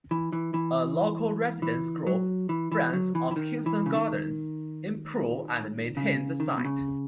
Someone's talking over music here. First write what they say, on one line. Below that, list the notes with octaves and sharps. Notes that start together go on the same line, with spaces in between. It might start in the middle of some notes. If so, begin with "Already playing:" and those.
A local residents' group, Friends of Kingston Gardens, improve and maintain the site.
E3
E3
E3
E3
F#3
E3
E3
F#3
E3
E3
D#3
E3
C#3
D#3
C#3
D#3
C#3
B2
C#3